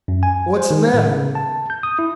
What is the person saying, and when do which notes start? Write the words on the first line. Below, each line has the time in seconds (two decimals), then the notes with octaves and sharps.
"What's the matter?"
0.08 F#2
0.23 G#5
0.57 C5
0.71 D#3
0.94 A2
1.06 C#3
1.35 A5
1.70 G6
1.83 D#6
1.99 E4